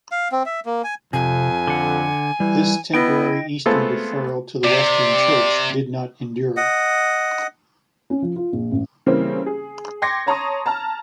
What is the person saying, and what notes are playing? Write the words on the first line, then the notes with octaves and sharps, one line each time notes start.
This temporary eastern deferral to the western church did not endure.
F5
C4
E5
A#3
G#5
F2 C3 G#5
D3 F#5
E3 G3
B3 E4 D#5 G5
G#3 A3 B3 C4 F4 A4
C3 D5
D#5 F#5
C#4
F3
F4
A#1
A1
C#3 E3 G3 A#3 C4 C#4
G#4
G5 C6 D6 G#6 A#6 C#7
C#5 A5 A#5 C6 C#6 D#6
A5 A#5 F6